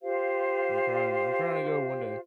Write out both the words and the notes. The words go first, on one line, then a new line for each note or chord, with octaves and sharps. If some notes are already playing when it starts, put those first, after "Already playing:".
I'm trying I'm trying to go one day.
F4 G4 C5 F5